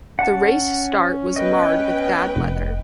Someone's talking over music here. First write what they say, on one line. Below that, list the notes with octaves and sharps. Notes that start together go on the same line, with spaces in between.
The race start was marred with bad weather.
C#4 F#5 A5
B3 B4 D#5 G5
F1